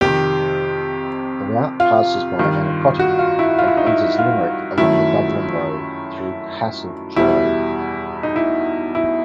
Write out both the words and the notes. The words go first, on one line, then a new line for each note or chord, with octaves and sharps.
The route passes by Annacotty, and enters Limerick along the "Dublin Road" through Castletroy.
F2 C3 D#3 G4
F4
G2 D#3 G3
F#4
F4
E4
F4
E4
D#4
E4
F4
F#2 D#3 F#3 A3 E4
E2 B2 G3 E4
D#4
E4
E4